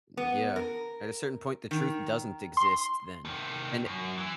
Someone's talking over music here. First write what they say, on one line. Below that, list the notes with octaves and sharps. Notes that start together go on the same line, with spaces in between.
Mm, yeah, at a certain point, the truth doesn't exist then, and it
B3
A#4
D#3
C6
C3 D#3
F#2
E3